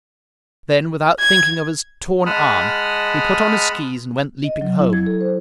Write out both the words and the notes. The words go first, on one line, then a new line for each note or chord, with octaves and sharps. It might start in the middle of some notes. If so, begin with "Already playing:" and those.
Then without thinking of his torn arm he put on his skees and went leaping home.
G#6
G#3 F#5 A5 B5 D#6 F6
D#5
F#3
E4
G#6
A4
C5